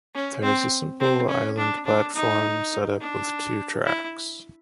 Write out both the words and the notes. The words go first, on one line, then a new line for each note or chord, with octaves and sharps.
There is a simple island platform setup with two tracks.
C#4
C4
C4
C#4
D4
D4
D#4
D4
E4